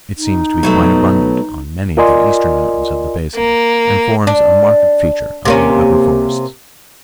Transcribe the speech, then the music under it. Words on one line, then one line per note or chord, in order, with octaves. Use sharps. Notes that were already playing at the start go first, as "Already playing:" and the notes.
It seems to be quite abundant on many of the eastern mountains of the basin, and forms a marked feature of their upper forests.
D#4
B2 F#3 A3
F4 A#4 D5 D#5 G#5 C6
A#3
D4
C3 A#3 C#4